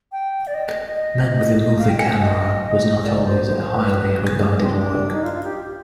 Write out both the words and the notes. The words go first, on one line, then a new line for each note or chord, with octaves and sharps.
"Man with a Movie Camera" was not always a highly regarded work.
G5
D5
D#5
D#5
F5
G5
G#5
G5
D#5
D5
C5
C5
C5
B4
G#4
G#4
C4
D4
D#4
F4
F4
G4